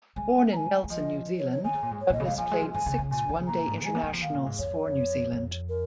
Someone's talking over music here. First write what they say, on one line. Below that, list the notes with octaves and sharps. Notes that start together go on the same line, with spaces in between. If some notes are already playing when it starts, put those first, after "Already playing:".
Born in Nelson, New Zealand, Douglas played six One Day Internationals for New Zealand.
G#3 G#5
A#5
G#5
G#3
F3 D#5
C#5
C#5
D#3 G#5
C#3
A#2
G#2
C#5
A#2 D#5
C#3
G#3 F5
F3 G#5
G#3
F3
F3 G#5
C#3
C#3
A#2 G#5
D#3
C#3
A#2 A#5
G#2
G#3 G#5
A#3
G#3
F3
D#3 F5
A#2
G#2
F2 C#5
F2
A#4